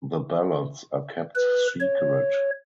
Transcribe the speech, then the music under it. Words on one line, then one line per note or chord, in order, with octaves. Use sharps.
The ballots are kept secret.
B4
C#5